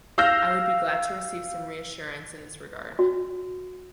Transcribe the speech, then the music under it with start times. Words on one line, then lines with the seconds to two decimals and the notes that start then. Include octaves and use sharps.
I would be glad to receive some reassurance in this regard.
0.18 F5 E6 F6 G6 A#6
2.99 F#4